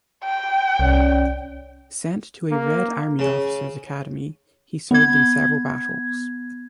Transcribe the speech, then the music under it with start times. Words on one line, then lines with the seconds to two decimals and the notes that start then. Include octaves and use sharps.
Sent to a Red Army officer's academy, he served in several battles.
0.24 G5
0.79 C2 C#4 C#5 D5
2.51 A#3
3.19 C#3
4.91 B3 G#6